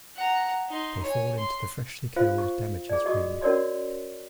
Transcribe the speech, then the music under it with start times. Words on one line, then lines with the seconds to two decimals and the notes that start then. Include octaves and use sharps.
They fall into the freshly killed Damage's ring.
0.16 F#5 A#5
0.69 D#4 C6
1.03 C#5 G#5
1.37 C6
2.16 F4 C5 F5
2.38 C#6
2.89 G#4 D5
3.05 F#4 D#5 C#6 D#6
3.41 C#4 F#4 A#4 C#5 D5 C6